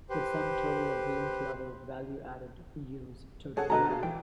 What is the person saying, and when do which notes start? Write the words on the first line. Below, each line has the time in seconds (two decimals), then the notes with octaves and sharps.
The sum total of link-level value-added yields total value.
0.10 G4 B4 C5
3.57 G#4 A4 C#5 F#5
3.70 B2 D3 A4 B4 D#5 A#5
3.90 G#4 F5
4.03 E3 G5